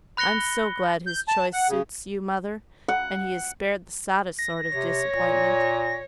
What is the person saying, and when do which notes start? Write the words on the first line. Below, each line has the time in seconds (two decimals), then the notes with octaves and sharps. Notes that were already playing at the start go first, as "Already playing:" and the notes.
'I'm so glad his choice suits you, mother, and he is spared the saddest sort of disappointment.'
0.17 B5 F#6 A#6 C#7 G7
1.06 G6
1.28 A5
1.53 F#5
1.69 C#3
2.88 F#5
4.39 A#6
4.73 C3 C#5
5.11 A#2